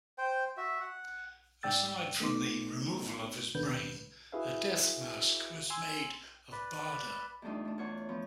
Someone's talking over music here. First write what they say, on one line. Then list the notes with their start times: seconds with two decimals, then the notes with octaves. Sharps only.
Aside from the removal of his brain, a death mask was made of Baader.
0.18 C5 G5
0.57 F#4 E5
0.80 F#5
1.63 G#2 D5 G5 E6 A6
2.20 A3 B3 D#4 C6 D6
3.55 D#2 B2 D3 B4 G6
4.32 E4 F#4 G#4 B4 E5 F5
5.70 G#5 C6 E6
6.52 B4 D5 B5
7.42 E2 G3 A3 D4 D#4 F4
7.65 A3 D4
7.78 E2 F4 C#5 F#5 C#6
8.09 F3 B3